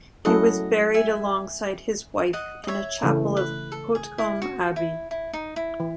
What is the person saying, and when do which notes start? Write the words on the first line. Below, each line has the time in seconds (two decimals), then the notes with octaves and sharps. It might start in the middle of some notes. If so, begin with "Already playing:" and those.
He was buried alongside his wife in a chapel of Hautecombe Abbey.
0.25 F#3 A3 C#4 E4 A4 D#5 F#5
0.94 E5 G#5
2.33 D#5 F#5
2.64 D#5
2.68 C#5 E5
3.03 C#3 E3 A3
3.37 B4
3.72 A4
3.95 G#4
4.18 E4
4.42 F#4
4.76 E4
5.11 E4
5.33 D#4
5.56 E4
5.80 E3